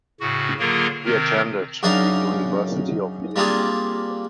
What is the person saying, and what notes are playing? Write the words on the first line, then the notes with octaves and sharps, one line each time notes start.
He attended the University of Illinois.
A2 C#3 F#4
D3 F#3 A#3 F4 G#4 A#4
C3 D#3 C4 A#4
F#2 C#3 D4 D#4 A#4 F5
G3 A#3 C4 D4 F4 G#4